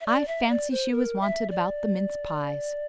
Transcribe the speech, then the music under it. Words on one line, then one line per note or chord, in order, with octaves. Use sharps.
I fancy she was wanted about the mince-pies.
E5
D5
E5
D5
C5
A#4
E5
D5